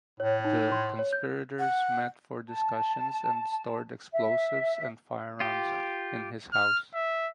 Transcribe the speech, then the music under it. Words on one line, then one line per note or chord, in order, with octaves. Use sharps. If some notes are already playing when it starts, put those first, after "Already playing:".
The conspirators met for discussions and stored explosives and firearms in his house.
A2 C#5
D#4
C6
C#5
G6
F#5
A5
E5
F4 G4
F6
E5